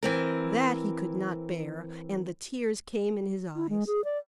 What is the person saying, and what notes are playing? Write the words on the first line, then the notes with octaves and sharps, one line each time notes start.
That he could not bear, and the tears came in his eyes.
E3 C4 A#4
E4
G#3
G#4
D5